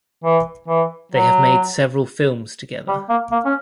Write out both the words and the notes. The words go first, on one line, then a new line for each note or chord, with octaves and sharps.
They have made several films together.
E3
E3
F#3
G3
A#3
A#3
C#4